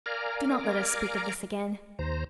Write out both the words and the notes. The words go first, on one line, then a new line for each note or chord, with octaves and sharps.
Do not let us speak of this again.
A#4 D5 F5 G#5 A#5
D#2 C5 A#5